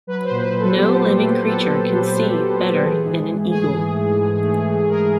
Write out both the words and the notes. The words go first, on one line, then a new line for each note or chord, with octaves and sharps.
No living creature can see better than an eagle.
F#3 B4
C5
A#2
B4
A#2
A4
B3 G4
F#3
A#2
A#2 A4
B3
F#3
A#2
A#2
B3
E3 G#4
G#2
G#2
A3 G#4
E3
G#2
G#2
A3
E3
G#2 A#4